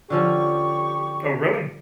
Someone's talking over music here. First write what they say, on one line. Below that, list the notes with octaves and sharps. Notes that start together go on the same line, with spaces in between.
Oh, really?
D3 F3 C#4 G4 C#6